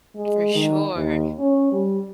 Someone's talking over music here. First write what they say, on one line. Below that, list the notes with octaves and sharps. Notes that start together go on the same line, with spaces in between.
For sure.
G#3
D#3
D#2
C#4
G3